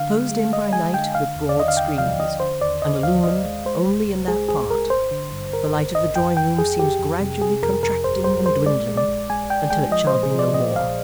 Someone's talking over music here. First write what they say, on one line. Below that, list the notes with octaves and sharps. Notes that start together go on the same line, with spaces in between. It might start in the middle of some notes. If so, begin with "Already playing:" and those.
Closed in by night with broad screens, and illumined only in that part, the light of the drawing-room seems gradually contracting and dwindling until it shall be no more.
Already playing: D3 F5
G#3
G#3
G#3 D#5
G#3 G#5
D3 G5
D3 F5
D#2
D5
D3 D#5
F5
D#2 G5
F3 F5
D3 D#5
D3 C5
D#2 D5
D#2 D#5
D#2 F5
D#2 D#5
G#3
G#3 C5
C2
C2
G#3 G#4
C2 G#4
C2 A#4
G#1 C5
D3
G2
G#1 A#4
G#1
G#1 D#5
F2 G5
F2 G5
F2 G#4
F2 G4
F2
C3
C3 G#4
F2 A#4
F2 A#4
G1 C5
G3 C5
G1 C5
G#3 D5
G#3
D5
A#1
G#3 G#5
A#1 G5
G#3 G5
F3 D#5
C5
A#2
G#4
F3 D5
A#2 D#5
A#1 F5